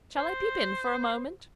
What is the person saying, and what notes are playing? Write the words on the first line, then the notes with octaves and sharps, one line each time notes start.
"Shall I peep in for a moment?"
C5